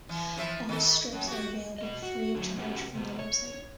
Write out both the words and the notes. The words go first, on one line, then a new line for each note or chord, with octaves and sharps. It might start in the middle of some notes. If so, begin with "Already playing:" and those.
All strips are available free of charge from the website.
E3
E3 F3 E5
D#3 A4
F#2
F#4 G4
B2 F3 D#5
F#4
D3 F#3
C3 B3 C#4 F#4 G4 B4
C3 B3
C#5